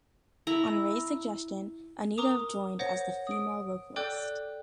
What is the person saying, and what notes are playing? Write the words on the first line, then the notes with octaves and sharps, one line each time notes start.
On Ray's suggestion, Anita joined as the female vocalist.
E4 A#5
A#4 A#5 D6 D#6 F7
C5 C#5 F#5 A#6
D#6 D7
A4 D5 G5 D6 F#6 G6